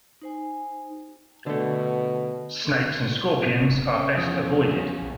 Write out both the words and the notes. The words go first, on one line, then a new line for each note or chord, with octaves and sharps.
Snakes and scorpions are best avoided.
D#4 C5 G#5
B2 D3 A3
G#1
C#4
E2 F3 D#6
A#1